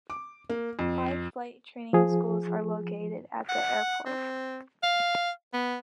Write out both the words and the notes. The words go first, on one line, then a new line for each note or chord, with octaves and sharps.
Five flight training schools are located at the airport.
D6
A#3
F2
F3 G#4
F#5
C4
F5
B3